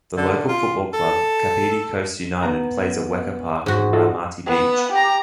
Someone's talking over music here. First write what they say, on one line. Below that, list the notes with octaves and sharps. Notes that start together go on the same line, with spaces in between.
The local football club, Kapiti Coast United, plays at Weka Park in Raumati Beach.
D3
F4
A4
B3 A#5
G#2 F#4
F4 A4 D#5
B3 F#5
G4 A#5